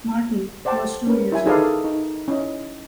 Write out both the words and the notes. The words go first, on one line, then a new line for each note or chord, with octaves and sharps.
Martin, who was two years old.
C5 D5 F#5 G5 A5
C#4 A#4 B4
E4 E5 G#5
D#4 G#4 A4 B4 D5 F5
D#4
C#4 E4 D#5